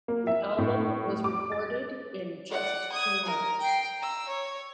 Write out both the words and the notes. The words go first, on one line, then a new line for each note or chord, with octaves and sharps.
The album was recorded in just two nights.
A#3
E5
A2
D6
A6
D5 F#5
D#6 G#6
A#4
G5 C7
A#5 E6
C#5